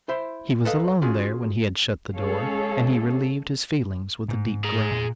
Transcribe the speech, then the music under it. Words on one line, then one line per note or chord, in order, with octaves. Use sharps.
He was alone there when he had shut the door--and he relieved his feelings with a deep groan.
E4 C5 E5 C6
A4 B4 D#5 F5 A5 A#5
C#4 F4 F#4 G#4
G#3 C#4 G#4 A4 C#5 F5
G#2
G#4 A#5
A#2